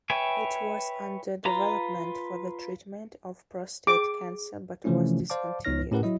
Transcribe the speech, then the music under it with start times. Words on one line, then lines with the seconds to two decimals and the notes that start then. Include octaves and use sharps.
It was under development for the treatment of prostate cancer but was discontinued.
0.10 B4 C#5 E5 G5 G#5
1.45 F4 B4 A#5
3.87 G#4 D6
4.84 C3 E3 F3 A3 C#4 E4
5.30 C5 D5 F5 A5 D6
5.65 C#2 B3 D#4 C#5 F6 A#6
5.91 A2 C#4 G4 A#4 B4 F#5
6.03 F#3 E4 D#5